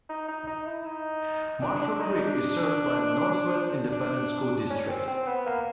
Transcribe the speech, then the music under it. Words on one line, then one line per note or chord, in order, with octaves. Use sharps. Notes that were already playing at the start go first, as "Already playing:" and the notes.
Marshall Creek is served by the Northwest Independent School District.
D#4
D#4
D#4
E4
D#4
D4
D4
D#4
D4
D4
C#4
C4
C4
B3
A#3